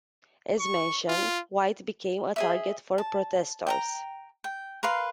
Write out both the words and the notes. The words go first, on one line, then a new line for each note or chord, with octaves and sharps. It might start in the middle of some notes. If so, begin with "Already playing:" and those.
As mentioned, White became a target for protestors.
C#6
F4
G#4 D#5 E5
A5
G5 A5 A#5
G5
A#4 B4 F5 C6